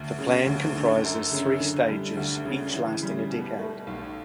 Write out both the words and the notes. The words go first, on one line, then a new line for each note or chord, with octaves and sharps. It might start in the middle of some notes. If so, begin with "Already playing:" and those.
The plan comprises three stages each lasting a decade.
Already playing: D2
C#3
D2
D3
F#2
C#3
D3
G3
D2
C#3
E3
G3
B2
A3
B1